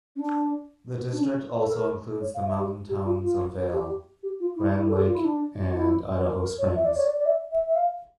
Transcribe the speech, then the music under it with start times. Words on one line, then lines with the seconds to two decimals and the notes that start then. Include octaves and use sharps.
The district also includes the mountain towns of Vail, Grand Lake and Idaho Springs.
0.16 C#4
0.19 D4
1.12 D4
1.19 C#4
1.59 A4
1.71 A#4
2.21 C#5
2.34 F5
2.46 E5
2.59 G4
2.89 G4
3.05 F4
3.22 F4
3.72 G4
4.23 G4
4.40 F4
4.56 E4
4.74 E4
4.88 A4
4.97 G4
5.06 F4
5.15 E4
5.24 D4
5.75 E4
6.20 C#5
6.24 A#4
6.41 A#4
6.58 C#5
6.75 E5
6.85 D5
6.95 C#5
7.04 D5
7.17 D5
7.25 E5
7.51 E5
7.66 E5
7.75 F5